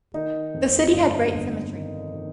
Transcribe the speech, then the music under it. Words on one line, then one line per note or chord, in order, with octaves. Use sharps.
The city had great symmetry.
D#3 D#4
F2
G1 D4
G1
D#3
D#3